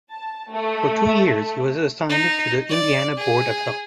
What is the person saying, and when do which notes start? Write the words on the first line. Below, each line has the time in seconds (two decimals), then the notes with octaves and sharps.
For two years he was assigned to the Indiana Board of Health.
0.10 A5
0.51 A3
2.09 D#4
2.70 D5
3.17 G#4